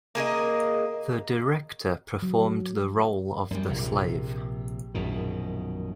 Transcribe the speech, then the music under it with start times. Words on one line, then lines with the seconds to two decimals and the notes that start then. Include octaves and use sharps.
The director performed the role of the slave.
0.15 A#3 G#4 A#4 D#5
2.22 F#3
3.51 F#2 G3
3.69 A#1 C3
4.95 A#1 F#2 B2 D#3